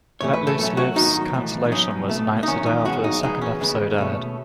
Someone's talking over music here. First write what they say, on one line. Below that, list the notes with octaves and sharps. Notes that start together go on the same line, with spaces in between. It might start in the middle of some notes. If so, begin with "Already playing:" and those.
"Let Loose Live"'s cancellation was announced the day after the second episode aired.
A2 E3 A3 C#4 C#5
B4
A4
B2 F#3 A3 C#4 A4
F#4
G#2 D#3 F#3 B3 D#4
B1 A2 E3
B2 F#3 C#4 D#4
C#2 B2 A3
D#4
E2 D#3 F#3 C#4
D#4
B1 B2 G#3 C#4 F#4
D#4
E2 B2 G#3 B3 D#4
C#4
D#2 C#3 G#3 B3
B2 A3 C#4